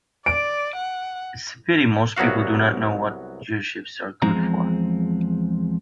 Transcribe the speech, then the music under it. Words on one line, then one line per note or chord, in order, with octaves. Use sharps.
It's a pity most people do not know what gearshifts are good for.
D5 D7
F#5
C2 F#3 B3 F#4 F5
E2 F3 G#3 C4 A#5